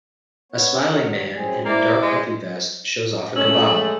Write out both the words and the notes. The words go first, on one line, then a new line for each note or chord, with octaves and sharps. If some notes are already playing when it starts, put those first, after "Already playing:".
A smiling man in a dark puffy vest shows off a kebab.
B3 C#5
D#3 F#3
F#2 C4 G#4
A#3 E4 C5 D5
G#3
G#3 A3 C#4 E6 F#7